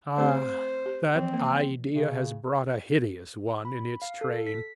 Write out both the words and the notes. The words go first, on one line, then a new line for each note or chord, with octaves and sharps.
Ah! that idea has brought a hideous one in its train.
A3 C4 G4 C5
G4
E3 F3 C4
A#3
C#3
B5
F5
A4
B6